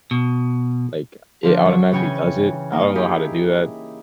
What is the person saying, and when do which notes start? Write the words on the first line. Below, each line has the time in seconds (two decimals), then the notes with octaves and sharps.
like, it automatically does it, I don't know how to do that,
0.11 B2
1.43 D3 F3 D4
1.65 F#3 C#6
1.92 C#3 E3 C#4 C#5 G5 G#5
2.72 A#3 D#4
2.95 D#4 E4 G4 G#4